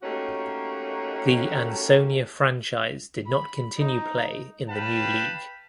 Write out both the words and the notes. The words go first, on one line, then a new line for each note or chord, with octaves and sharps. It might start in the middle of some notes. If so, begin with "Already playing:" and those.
The Ansonia franchise did not continue play in the new league.
A3 A#3 C#4 D#4 F#4 G4
B5
D#4
B4 F5 G5 A5 B5